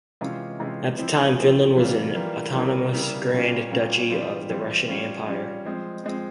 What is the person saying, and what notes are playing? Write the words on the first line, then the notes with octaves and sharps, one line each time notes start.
At the time, Finland was an autonomous grand duchy of the Russian Empire.
C3 E3 G#3 C#4 F4
C3 E3 G#3 C#4 F4
F3 C4 E4
F3 C4 E4
E3 G3 A#3 F4
E3 G3 A#3 F4
C#3 G3 A#3 E4
C#3 G3 A#3 E4
A#2 G3 C#4 F4
A#2 G3 C#4 F4
E3 G3 C4 F4
E3 G3 C4 F4
G3 C#4 F4
G3 C#4 F4
F3 G#3 C4
F3 G#3 C4